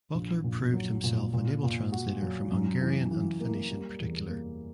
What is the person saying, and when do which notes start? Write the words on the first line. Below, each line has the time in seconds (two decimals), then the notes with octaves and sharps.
Butler proved himself an able translator from Hungarian and Finnish in particular.
0.14 A#1
0.44 A#2
0.73 F#3
1.04 A#2
1.33 A#2
1.63 A#2
1.92 F#4
2.22 F#3
2.52 F#2
2.81 E3
3.11 E3
3.40 A#3
3.70 G3
4.00 E2
4.29 A#3